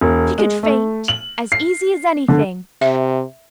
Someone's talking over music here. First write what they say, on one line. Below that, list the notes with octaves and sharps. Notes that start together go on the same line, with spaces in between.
She could faint as easy as anything.
E1
G#3
A3
F#7
C7
D3
C3 E5